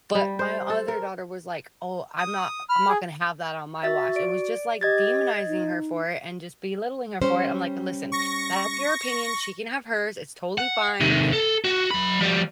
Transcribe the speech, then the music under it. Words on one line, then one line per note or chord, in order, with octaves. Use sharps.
But my other daughter was like, "Oh, I'm not I'm not gonna have that on my watch," and was just, like, demonizing her for it and just belittling her for it, I'm like, "Listen, that's your opinion, she can have hers, it's totally fine,
G3
C5
A4
A#4
D#6
B5 F6
G#4
F#4 E5 A6
D5 D7
G4 D#5 G#6 A6
D#4
G3 C#4 C5
C#6 A#6
F#5
C3 D#3
A4
F#4
F#3 B5
F3 G3